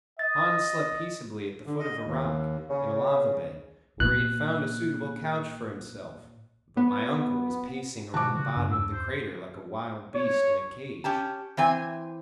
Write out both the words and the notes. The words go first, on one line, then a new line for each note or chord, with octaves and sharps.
Hans slept peaceably at the foot of a rock, in a lava bed, where he had found a suitable couch for himself; but my uncle was pacing around the bottom of the crater like a wild beast in a cage.
D#5 A6
D3
D#5
D#2
C#3
A#2 F#6
B3
B2 F#4 A5 D6
C#3 F#4
G2
E2 E6
C5
C#5
C#4 G4 A5
E3 C4 G#5